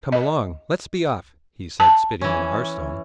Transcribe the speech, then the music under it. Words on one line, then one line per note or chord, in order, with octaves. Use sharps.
"Come along, let's be off," he said, spitting on the hearthstone.
D#5
A5
E3 C#4